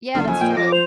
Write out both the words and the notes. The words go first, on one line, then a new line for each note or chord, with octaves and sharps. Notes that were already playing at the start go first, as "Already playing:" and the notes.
Yeah, that's true.
F#1 D3
F2 G#5
A#2 G5
F3 D6 A#6
C5 F7